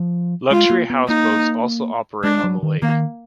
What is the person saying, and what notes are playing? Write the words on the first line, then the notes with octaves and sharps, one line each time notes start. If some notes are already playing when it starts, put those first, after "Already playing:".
Luxury houseboats also operate on the lake.
Already playing: F3
G#3 F4
A#3
B3
A#3 D#4
G#3 D4
F#3
D#3
D#3 A#3